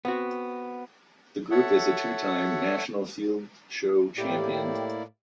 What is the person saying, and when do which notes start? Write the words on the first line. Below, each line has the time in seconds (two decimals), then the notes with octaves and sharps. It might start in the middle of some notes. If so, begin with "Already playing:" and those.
The group is a two-time national field show champion.
0.05 B3 C4 F#4
1.51 A4 C#5 E5 F#5
4.18 A2 A#3 E4 G4 D5